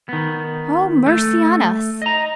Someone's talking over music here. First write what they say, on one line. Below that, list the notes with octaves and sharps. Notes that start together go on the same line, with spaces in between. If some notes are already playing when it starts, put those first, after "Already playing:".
Oh, mercy on us!
D#3 B3
A3
D#5 A#5